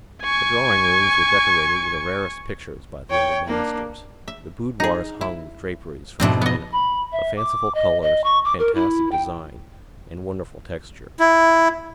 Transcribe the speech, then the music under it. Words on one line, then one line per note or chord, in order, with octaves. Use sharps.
The drawing-rooms were decorated with the rarest pictures by the old masters, the boudoirs hung with draperies from China, of fanciful colors, fantastic design, and wonderful texture.
G#5 C#6
C#5 G5
A#3 D4
E5
D#4 G#4
E4
F2 G#2 B2 C4 D4 E4
B3 D#5
B5
E5
D6
D#5
D#5
C#6
D6
A#4
E4
G5
E4